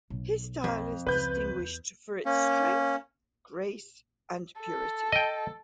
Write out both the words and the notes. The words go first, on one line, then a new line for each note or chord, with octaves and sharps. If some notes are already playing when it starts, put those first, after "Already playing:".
His style is distinguished for its strength, grace and purity.
B1
F2
C#2 C#3 B4 G6
E2
A#3 C#4
A4
D#5 G5